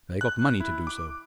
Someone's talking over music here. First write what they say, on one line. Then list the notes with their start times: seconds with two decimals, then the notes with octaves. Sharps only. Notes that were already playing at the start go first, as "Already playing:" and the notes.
"They got money to do so."
0.21 F#6
0.60 E4
0.87 D6